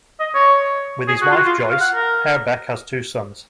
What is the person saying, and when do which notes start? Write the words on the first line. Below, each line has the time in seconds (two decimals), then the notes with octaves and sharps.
With his wife Joyce, Herbeck has two sons.
0.20 D#5
0.34 C#5
1.08 G#4
1.22 F#4
1.31 F4
1.36 F#4
1.46 F4
1.70 F5
1.80 F#5
1.95 A#4